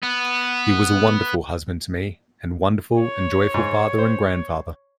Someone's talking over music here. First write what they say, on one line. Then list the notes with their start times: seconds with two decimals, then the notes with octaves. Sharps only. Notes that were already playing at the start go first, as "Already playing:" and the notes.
He was a wonderful husband to me, and wonderful and joyful father and grandfather.
0.03 B3
3.00 C#5
3.54 G#2
3.98 C5